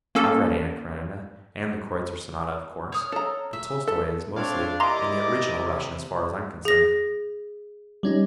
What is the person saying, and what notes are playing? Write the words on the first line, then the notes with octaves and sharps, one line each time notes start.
"I've read 'Anna Karenina' and the 'Kreutzer Sonata' of course, but Tolstoi is mostly in the original Russian as far as I'm concerned."
A#3 C#4 A4
C#5 D#6 F6
A4 A#5
E5
A4
A3 C4 D4 C#5 F5
E4 G4 A#4 D5 D#5 A#5 C6 D6
C3
G#4 A#6
G3 C#4 D#4